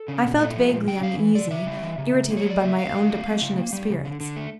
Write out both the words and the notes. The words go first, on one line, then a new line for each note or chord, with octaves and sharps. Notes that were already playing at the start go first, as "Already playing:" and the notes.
I felt vaguely uneasy; irritated by my own depression of spirits.
Already playing: A4
C#3
A#2
A3
F3
A#2
C#3 G5
G3 F5
E3
C#3 D5
C#3 E5
G3
E3
C#3
C#3
A#3
C#5
F3 D5
C#3 E5
D3 F5
D3
A3
A3
C#3
A#3
G3
C#3
D3
D3
A3